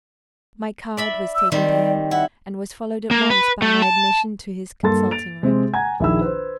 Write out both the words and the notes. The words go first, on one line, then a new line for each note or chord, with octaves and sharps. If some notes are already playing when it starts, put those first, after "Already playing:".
My card was taken to him, and was followed at once by my admission to his consulting-room.
D5 E5 B5
E6
D#3 G3 C4 D5
E4 F#5
A#3
B4
A3
A5
G2 A#3 A4 C6 A6
A6 D7 F7
C3 G#3 C4 G#4
F#5 G#5 A#5 G#6
A#1 D#3 E4 G#4 B5 E6
B4 C5